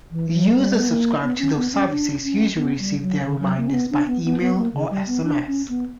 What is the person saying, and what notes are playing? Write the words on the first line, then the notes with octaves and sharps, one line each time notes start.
Users subscribed to those services usually receive their reminders by email or sms.
E3
F#3
G3
B3
A#3
B3
C#4
B3
C#4
D4
C#4
B3
G3
F#3
D3
F#3
A#3
C#4
B3
D4
B3
B3
B3
A#3
C#3
G3
B3
D4
C#4
B3